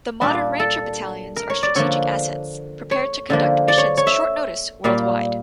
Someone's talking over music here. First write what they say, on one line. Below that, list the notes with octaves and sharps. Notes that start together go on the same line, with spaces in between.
The modern Ranger battalions are strategic assets, prepared to conduct missions short-notice worldwide.
A#2 G3 A#3 D4
A4
A#4
C#5
D5
D3 F3 A#3 C#5
C#5
D3 F3 A#3
D5
C#5
C#5
E5
A#2 G3 A#3 F5